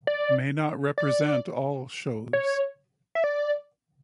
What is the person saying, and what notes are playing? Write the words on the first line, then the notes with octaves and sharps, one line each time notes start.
May not reprsent all shows.
D5
D5
C#5
E5
D5